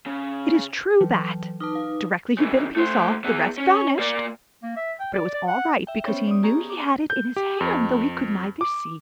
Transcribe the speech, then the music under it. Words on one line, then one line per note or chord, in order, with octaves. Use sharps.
It is true that, directly he bit a piece off, the rest vanished; but it was all right, because he knew he had it in his hand though he could neither see nor feel it.
C#3
E3 F#3
D#4 B4 A5 D6 F6
F5
C#3 E3
A3 C5
B3 G#4
C#4
A#3 D5
A#3
E5
G5
D5
D5
F#5
E5 G5
B3 C#4 C5 C#5 E5 G5
D5 D#6
B3 G4 G#4 A#5 C#6
D6
G6
G4
F2
D6